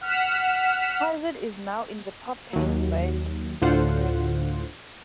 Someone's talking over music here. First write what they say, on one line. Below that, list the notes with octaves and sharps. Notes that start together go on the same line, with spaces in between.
Hazard is now in the pop punk band Mcrackins.
F#5 F6 B6 E7
D#2 F#3
D2 A2 D3 F4 C5 F#5